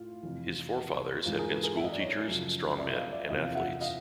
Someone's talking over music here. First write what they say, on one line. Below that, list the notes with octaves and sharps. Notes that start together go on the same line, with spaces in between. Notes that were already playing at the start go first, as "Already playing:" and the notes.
His fore fathers had been school-teachers, strong men and athletes.
Already playing: A2 F4
F2 C3 E3
G#2 E3 F4
G#4 A#4
A4 B4
G#4 A#4
E5
D#5
D5
C#5 D#5
F#2 C#3 F3
D5 E5
E5
D#5 F5
D5 E5
E2 C3 F3 D#5 F5
F5
E5 F#5
D#5 F5